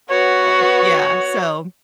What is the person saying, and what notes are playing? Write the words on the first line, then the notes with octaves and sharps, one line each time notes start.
Uh, uh, yeah, so,
B3 F#4 B4 C#5